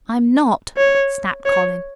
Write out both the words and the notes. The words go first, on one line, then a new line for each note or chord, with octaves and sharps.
"I'm not!" snapped Colin.
C#5
C#5